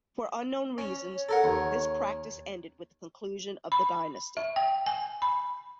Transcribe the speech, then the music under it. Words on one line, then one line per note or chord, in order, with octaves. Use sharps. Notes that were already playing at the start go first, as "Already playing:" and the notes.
For unknown reasons, this practice ended with the conclusion of the dynasty.
C#4
C#5
A4 A#4 F#5
D#2
B5
E5
G5
G#5
B5